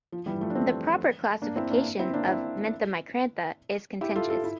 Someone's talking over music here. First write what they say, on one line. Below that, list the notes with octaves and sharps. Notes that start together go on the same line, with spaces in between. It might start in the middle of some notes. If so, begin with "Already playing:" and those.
The proper classification of "Mentha micrantha" is contentious.
F3
E3 G3
F3 A3
D4
A3 C4
A#3 D4
C4 E4
A#3 D4
C4 E4
A#3 D4
C4 E4
E4 G4
F4 A4
F4 A4
E4